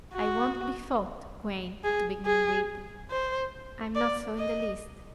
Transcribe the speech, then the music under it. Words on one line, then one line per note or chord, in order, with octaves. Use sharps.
I won't be thought 'quaint,' to begin with; I'm not so in the least.
F#4
G#4
G#4
C5
D5
D#5